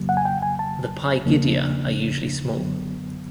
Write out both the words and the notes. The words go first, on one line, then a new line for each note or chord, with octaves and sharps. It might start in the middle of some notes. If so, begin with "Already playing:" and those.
The pygidia are usually small.
Already playing: F2 C#3 F#3 A#3
F#5
G#5
G5
G#5
A5
E2 C#3 F3 A#3 D4
F#2 D3 F#3 B3